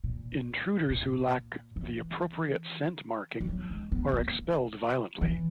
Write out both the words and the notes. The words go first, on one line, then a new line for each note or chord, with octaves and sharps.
Intruders who lack the appropriate scent marking are expelled violently.
A#2
A#2
E3
E3
F#3
G#3
B3
A#3
E3